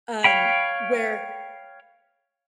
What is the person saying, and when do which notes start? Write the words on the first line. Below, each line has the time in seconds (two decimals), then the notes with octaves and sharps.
um, where
0.24 C#5 F5 G5 B5